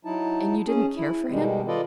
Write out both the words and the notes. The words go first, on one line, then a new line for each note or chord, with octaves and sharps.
"And you didn't care for him!"
F#3 D#4 E4 A5
C#4 G#4
E4
B2 D#3 G3 G#3
F4 A4 B4 D5 D#5